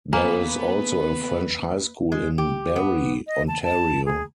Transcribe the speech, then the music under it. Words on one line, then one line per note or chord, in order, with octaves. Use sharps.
There is also a French High school in Barrie, Ontario.
A#3 B3 B4 G#5
G#3
G4
B3
D#5
A5
A5
G#4